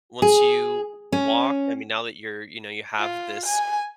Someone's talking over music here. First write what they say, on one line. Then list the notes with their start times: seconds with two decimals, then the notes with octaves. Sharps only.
once you walk? I mean, now that you're you know, you have this
0.22 G#4
1.12 C#4
2.99 F4
3.46 G#5